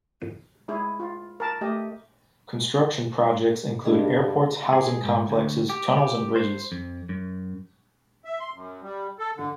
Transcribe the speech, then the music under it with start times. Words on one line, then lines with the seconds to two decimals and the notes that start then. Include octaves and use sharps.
Construction projects include airports, housing complexes, tunnels, and bridges.
0.68 G#3 E4 G#4
1.00 F4
1.40 A#4 A5
1.61 A3 G4 D#5
3.85 G2 D4 G#4 D#5
4.73 G#4
5.04 G#2
5.30 D2
5.70 G4
6.36 C5
6.72 F2
7.09 F#2
8.25 E5
8.40 C6
8.54 F#2
8.82 G3
9.19 A4
9.37 D3